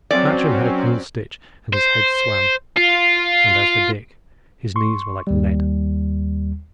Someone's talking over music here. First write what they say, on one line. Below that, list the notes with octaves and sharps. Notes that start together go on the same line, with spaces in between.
Matcham had a cruel stitch, and his head swam; and as for Dick, his knees were like lead.
F#3 C4 C#4 D5
C5
F4
C6 C#6
D#2 G3